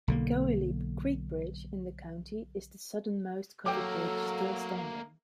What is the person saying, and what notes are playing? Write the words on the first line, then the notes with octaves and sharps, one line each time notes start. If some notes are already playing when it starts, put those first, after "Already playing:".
The Cohelee Creek Bridge in the county is the southernmost covered bridge still standing.
B1 D3 A#3
F#3 A3 A#3 A4 G5 D6